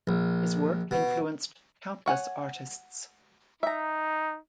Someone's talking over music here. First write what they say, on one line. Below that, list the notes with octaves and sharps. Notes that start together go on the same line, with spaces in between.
His work influenced countless artists.
A#1
B2
C#5 F#5 G#5
D#4 E5 A#5